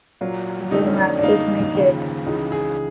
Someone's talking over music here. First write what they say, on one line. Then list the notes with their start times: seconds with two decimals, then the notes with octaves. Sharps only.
Will maxis make it?
0.21 A#2 F#3 A#3
0.71 F2 D3 F#3 A3 D#4
0.86 C#4
0.98 D4
1.19 D4
1.23 F#2 D3 G3 A#3 D#4
1.75 D#2 C#3 F3
2.26 C#2 C#3 E3 D#4
2.52 G#4